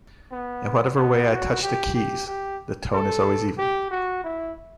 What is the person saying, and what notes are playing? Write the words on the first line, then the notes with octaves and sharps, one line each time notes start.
In whatever way I touch the keys, the tone is always even.
B3
B3
F#4
G4
G4
G4
A4
G4
F#4
E4